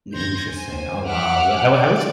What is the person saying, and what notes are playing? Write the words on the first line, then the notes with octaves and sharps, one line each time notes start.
Interesting. Oh wow. Yeah, I wi I wish
C6 G6 G#6 A#6
C5 G#5
E5 F#5 D6 F6 F#6
D5